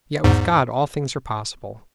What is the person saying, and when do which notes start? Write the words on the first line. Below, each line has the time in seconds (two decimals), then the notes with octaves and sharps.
Yet with God all things are possible.
0.24 E2 G#2